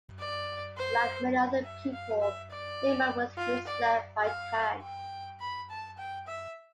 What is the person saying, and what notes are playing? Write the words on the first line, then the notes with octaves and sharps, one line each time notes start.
Like many other people, Lehman was misled by Tann.
D5
C5
E5
F5
E5
D5
F4
D5
F5
G5
B5
A5
G5
E5